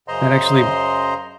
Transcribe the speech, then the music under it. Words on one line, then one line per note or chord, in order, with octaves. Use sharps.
that actually
F#2 C#3 C5 D#5 A#5 C6